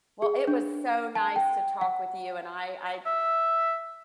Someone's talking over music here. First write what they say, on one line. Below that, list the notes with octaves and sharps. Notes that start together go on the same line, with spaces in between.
Well, it was so nice to talk with you, and I I
G#4
D4
A5
G5
F#5
E5